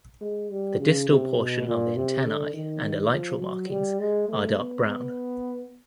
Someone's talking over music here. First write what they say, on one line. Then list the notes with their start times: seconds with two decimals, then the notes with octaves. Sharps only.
The distal portion of the antennae and elytral margins are dark brown.
0.21 G#3
0.50 G3
0.79 C#3
1.09 C3
1.37 B2
1.67 A#2
1.96 C3
2.25 D3
2.54 D#3
3.12 F3
3.41 F#3
3.70 G3
3.99 G#3
4.29 A3
4.57 B3
4.87 B3